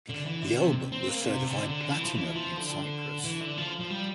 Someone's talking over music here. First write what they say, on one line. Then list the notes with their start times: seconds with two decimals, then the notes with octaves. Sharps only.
The album was certified Platinum in Cyprus.
0.09 D3
0.26 E3
0.42 D3
0.58 C3
0.92 C4
1.08 A#3
1.25 C3
1.47 D3
1.69 D3
1.91 E3
2.05 F3
2.14 E3
2.35 F3
2.57 D3
3.24 E3
3.41 D3
3.57 F3
3.80 F3
3.90 G3